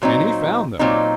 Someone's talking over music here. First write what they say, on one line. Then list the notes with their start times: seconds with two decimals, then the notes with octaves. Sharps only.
And he found them.
0.02 A#2 F#3 C4 D#4
0.79 A#2 F#3 C4 D#4